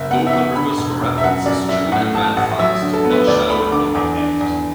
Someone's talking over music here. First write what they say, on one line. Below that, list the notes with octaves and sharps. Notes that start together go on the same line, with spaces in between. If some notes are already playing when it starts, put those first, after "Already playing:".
Local Rivers were rapids strewn and ran fast, not shallow and well behaved.
Already playing: F#1 E5
B3 F#5
E5
B3 F#5
D3 B5
E1
E1
E5
F#2 F#5
F#2 D5
F#2 E5
A2 F#5
A1 A5
A1 F#5
F#3 E5
D3
A4
B3
B4
D2 D5
A3 B5
D3 D6
E2 D6
D4
E2